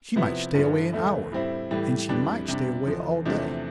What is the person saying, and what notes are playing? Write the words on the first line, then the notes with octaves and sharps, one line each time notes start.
She might stay away an hour and she might stay away all day.
C3 F3 B3 E4
G2 D3 F3 B3 E4
E2 D3 A3 E4
A2 G3 C4 E4
A2 E3 G3
F2 E3 G3 D4
C3 G3 D4
E2 D3 F3
E2 C3 F3 A3 D4